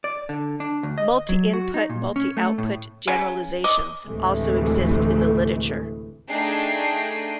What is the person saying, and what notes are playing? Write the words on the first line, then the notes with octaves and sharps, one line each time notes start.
Multi-input-multi-output generalisations also exist in the literature.
D5
D3
D4
D2
D#5
F#3
F#4
D#4
A#2
C#4
A3
A2
C#3
D#5 D6
D2 A2 C3 E3 G#3 A3
A3 D4 D#4 G#4 G5 C7